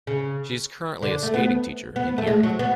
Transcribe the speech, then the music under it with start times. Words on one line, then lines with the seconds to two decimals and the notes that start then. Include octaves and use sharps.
She is currently a skating teacher in Erie.
0.07 C#3
1.02 D3
1.23 A3
1.34 B3
1.96 B3
2.18 A3
2.27 G#3
2.43 F#3
2.59 B3